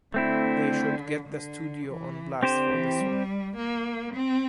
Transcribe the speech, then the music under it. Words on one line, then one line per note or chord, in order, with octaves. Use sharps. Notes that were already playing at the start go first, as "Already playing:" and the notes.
They should get the studio on blast for this one.
D3 A3 C4 E4
D3
E3
D3 C4 G4 C5
E3
G3
A#3
C4